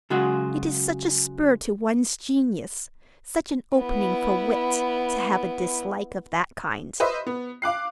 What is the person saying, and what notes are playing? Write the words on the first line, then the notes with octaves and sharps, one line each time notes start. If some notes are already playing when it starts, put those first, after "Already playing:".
It is such a spur to one's genius, such an opening for wit, to have a dislike of that kind.
C#3 F#3 G#3 F4 F#4 G#4
B3 E4
B4 C5 D#5 E5
B3
F5 D6 F#6 C7